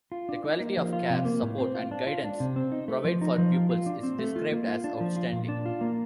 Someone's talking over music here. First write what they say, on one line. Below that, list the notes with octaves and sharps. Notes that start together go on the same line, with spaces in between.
The quality of care, support and guidance provide for pupils is described as outstanding.
F4
D4
D#4
A#3
F3
F4
C3
A#3
A2
C4
F4
D4
F4
D4
C3
C4
D#4
A3
F3
D#4
F3
F4
F4
D4
C4
A3
F4
A#3
F4
D4
F3
F4
A#2
D4
F4
A#3